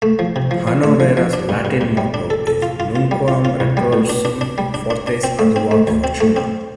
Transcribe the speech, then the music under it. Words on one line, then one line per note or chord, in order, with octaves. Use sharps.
Hannovera's Latin motto is Nunquam retrorsum, fortes adiuvat fortuna!
A3
F3
C3
F3
F3
A3
F3
F3
D4
G2
G2
G2
G3
D4
A4
A4
F4
F4
F4
G3
F4
F4
C2
G3
A2
D4
D4
D4
G3
D4
D4
D4
C4
A3
C4
A3
D2
C4
A3
C4